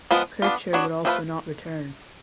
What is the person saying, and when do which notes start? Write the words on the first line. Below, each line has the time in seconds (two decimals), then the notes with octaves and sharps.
Kircher would also not return.
0.11 F3 G#3 B3 F4 B4
0.42 B3 D4 F4
0.73 B3 D4 F#4 C#5
1.05 F3 A3 D4 F4 B4